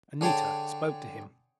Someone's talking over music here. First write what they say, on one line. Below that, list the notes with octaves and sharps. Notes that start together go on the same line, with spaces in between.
Anita spoke to him.
D3 G#4 C#5 G5 A5